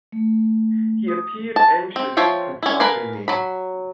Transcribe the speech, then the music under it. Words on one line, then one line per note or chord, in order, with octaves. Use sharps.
He appeared anxious to confide in me.
A3
D#6
A5
C4
F3 F4 C#5 E5 G5
C#4 E4
A#4 B4 F5 G#5
F#3 B5